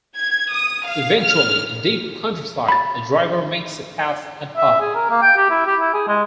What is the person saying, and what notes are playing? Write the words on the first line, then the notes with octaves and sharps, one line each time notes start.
Eventually, in deep countryside, a driver makes a pass at her.
G#6
D#6
F5
F6
B5 A6
E5
G#4
A#4
A#3
G5
G4
E4
G4
E4
G#4
G#3